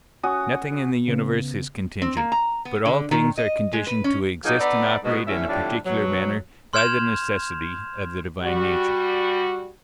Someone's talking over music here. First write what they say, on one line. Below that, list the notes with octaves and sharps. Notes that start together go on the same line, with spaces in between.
Nothing in the universe is contingent, but all things are conditioned to exist and operate in a particular manner by the necessity of the divine nature.
C#4 F#4 D#6
C#3 B3
C4
A#3
A#5
B3
D3
D#3
D#5
G#3
B4
C#4
B2 F3 F#3 A#3 D#4 G#4
B3 D#4 A4 D5
G#2 B2 G#3
E2 A2 D3 C#4 E5
F2 A2 D3 G3 D4 E4
B2 F#3
C6 F6 G6 G#6 E7 F7
G3 F#4